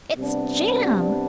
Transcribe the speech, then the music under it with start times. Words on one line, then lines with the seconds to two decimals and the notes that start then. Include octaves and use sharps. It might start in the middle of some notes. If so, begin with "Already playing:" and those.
It's JAM!
0.19 C3 G3 B3 D4